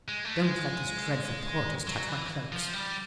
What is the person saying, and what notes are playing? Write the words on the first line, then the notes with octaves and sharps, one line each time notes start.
Don't let those dreadful porters touch my cloaks.
G#3
A3
G#3
F#3
E3
F3
G3